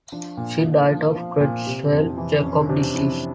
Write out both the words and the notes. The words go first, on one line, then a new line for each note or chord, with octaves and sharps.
She died of Creutzfeldt-Jakob disease.
F3 D4
A#2
A#2
F3
F3
A#2
C3
F2
E3
F2 C#4
C3 D4
F2 E4